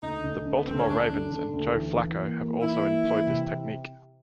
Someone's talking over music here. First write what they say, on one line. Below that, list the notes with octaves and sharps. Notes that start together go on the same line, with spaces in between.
The Baltimore Ravens and Joe Flacco have also employed this technique.
D2 D#4
D2
D3
B3
D2 C4
C#4
D3 D4
D3
D3
D2
E3
E3
A#3
A#3
E3 E4
A#3
E3
C3